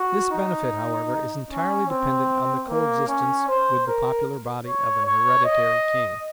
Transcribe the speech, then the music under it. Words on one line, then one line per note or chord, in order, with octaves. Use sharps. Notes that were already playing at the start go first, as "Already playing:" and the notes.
This benefit, however, is entirely dependent on the coexistence with the popular body of an hereditary king.
Already playing: F#4
D#4
C#4
C4
A#3
C#4
C5
A#4
C#5
C#5
D#5